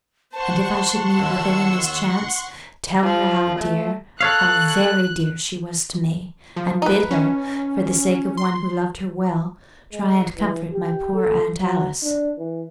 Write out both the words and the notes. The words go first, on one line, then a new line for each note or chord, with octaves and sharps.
And if I should meet with any mischance, tell her how dear, how very dear, she was to me, and bid her, for the sake of one who loved her well, try and comfort my poor aunt Alice.
C5 F#5 A5 C6 C#6
D#2 E6
F3
A3
A4 C#5 F5 F#6
F3
D#4 B4
C#4
C6
G#3
E3
G4
A4
F#3
D4
E3